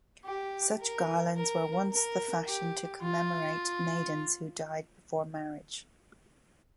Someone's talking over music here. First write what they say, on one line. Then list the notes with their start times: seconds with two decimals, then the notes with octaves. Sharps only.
Such garlands were once the fashion to commemorate maidens who died before marriage.
0.25 G4
0.80 A#4
1.36 A#4
1.92 A#4
2.47 G4
3.03 F4